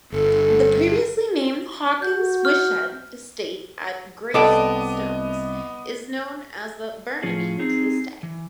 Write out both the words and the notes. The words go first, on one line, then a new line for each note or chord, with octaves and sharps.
The previously-named Hawkins-Whitshed estate at Greystones is known as The Burnaby to this day.
G1 A4
F#4 G6
F6
C2 B3 A4 D5 D#5 D6
A2 F3 C#4 F4 G#4
C4 D#4 G#4
E3